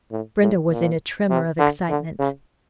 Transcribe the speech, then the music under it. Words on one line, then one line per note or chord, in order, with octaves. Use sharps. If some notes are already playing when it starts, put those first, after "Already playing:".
Brenda was in a tremor of excitement.
A2
A2
A#2
C3
D3
D3
C#3